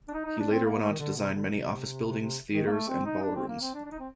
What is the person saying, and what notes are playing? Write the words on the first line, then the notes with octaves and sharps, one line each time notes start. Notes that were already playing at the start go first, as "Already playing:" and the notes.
He later went on to design many office buildings, theaters, and ballrooms.
D4
D#4
D#4
D4
C4
A#3
A3
D#3
D3
C3
D3
C3
C3
D#3
A#3
A3
C4
D#4
D4
C4
A#3
C4
D4
D4
D#4
C4